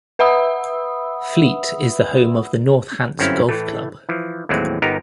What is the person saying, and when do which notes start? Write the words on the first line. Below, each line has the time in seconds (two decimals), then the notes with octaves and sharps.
Fleet is the home of the North Hants Golf Club.
0.19 B4 E5 F#5 B5 D#6 E6
3.19 G1 F#2 C4 C#4 E4 F5
3.49 A2 E3 A3
4.09 E3 F3
4.49 D#2 A2 E3 F#3 G#3 C4
4.82 G1 B3 D#4 G4 A#4 A#5